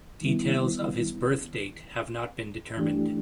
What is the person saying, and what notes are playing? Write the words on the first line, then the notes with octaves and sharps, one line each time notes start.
Details of his birth date have not been determined.
D#3 G3 B3 E4
E3 A3 D4 G4